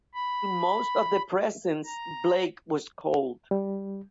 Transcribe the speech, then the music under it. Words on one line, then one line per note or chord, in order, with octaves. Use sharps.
To most of the presents Blake was cold.
B5
A#5
G3